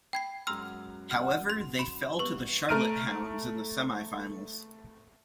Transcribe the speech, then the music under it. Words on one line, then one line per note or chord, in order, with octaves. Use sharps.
However, they fell to the Charlotte Hounds in the semifinals.
G5 B5 G#6 C7
F#2 G#3 A#5 C6 E6 F6
F#5 F6
C6
B5 C6
G2 E3 B3 B4 C#6
A3 A#5 F6 D7 D#7